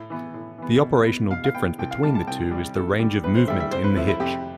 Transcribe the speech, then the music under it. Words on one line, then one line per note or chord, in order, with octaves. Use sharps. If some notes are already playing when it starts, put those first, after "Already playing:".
The operational difference between the two is the range of movement in the hitch.
Already playing: A2
E3 B3
A2
E3 B3
B2
B3
B2 F5
F5
B3 G5
C2 G5
F5
C3 G3 A5
A5
C2 G5
C3 G3
E2 A4
D3 G3
E2 B4
C5
D3 G3 E5
E5
F2 C5
B4
C3 F3 A3 E4
E4
F2 G4